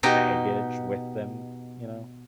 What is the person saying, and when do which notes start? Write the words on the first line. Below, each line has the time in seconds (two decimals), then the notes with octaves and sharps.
baggage with them, you know.
0.03 B2 D#4 G4